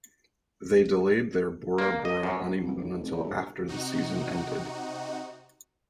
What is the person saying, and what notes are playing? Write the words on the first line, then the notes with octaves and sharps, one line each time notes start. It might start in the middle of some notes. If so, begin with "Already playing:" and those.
They delayed their Bora Bora honeymoon until after the season ended.
A#3
D#5
F#2
C2
B1
F1
E2
G1
C3 D#4 F#4